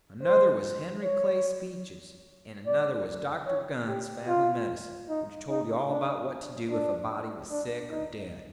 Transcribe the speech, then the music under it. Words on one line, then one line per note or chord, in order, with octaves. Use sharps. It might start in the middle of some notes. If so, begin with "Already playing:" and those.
Another was Henry Clay's Speeches, and another was Dr. Gunn's Family Medicine, which told you all about what to do if a body was sick or dead.
C5
C#5
D5
C#5
G4
F4
D#4
D#4
D4
D4
D4
D#4